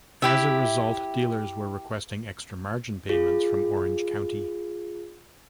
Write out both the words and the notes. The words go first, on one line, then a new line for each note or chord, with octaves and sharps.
As a result, dealers were requesting extra margin payments from Orange County.
E4 G4 E5
F4 G#4